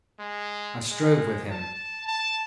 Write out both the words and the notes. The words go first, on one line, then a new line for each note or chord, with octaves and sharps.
I strove with him.
G#3
G#3
A5
A5